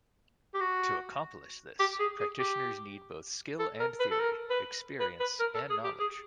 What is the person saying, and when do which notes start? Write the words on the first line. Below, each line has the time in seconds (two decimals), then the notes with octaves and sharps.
To accomplish this, practitioners need both skill and theory, experience and knowledge.
0.55 G4
0.60 F#4
1.80 G4
2.00 G#4
2.20 G#4
2.40 G4
3.59 A4
3.80 A#4
4.00 B4
4.11 A4
4.20 A#4
4.50 B4
5.00 B4
5.20 B4
5.40 A#4
5.55 A4
5.70 G#4
5.85 G4
6.00 G#4